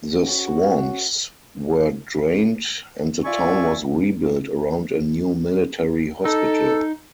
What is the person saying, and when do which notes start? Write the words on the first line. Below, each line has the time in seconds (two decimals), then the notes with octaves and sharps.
The swamps were drained and the town was rebuilt around a new military hospital.
0.23 C#4 F#4
3.24 F4 D5 E5 G#5 C#6
6.25 D#4 A4